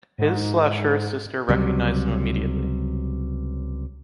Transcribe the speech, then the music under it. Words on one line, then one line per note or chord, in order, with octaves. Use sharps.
His/ her sister recognized them immediately.
G#2
C#2 C3 F#3 G3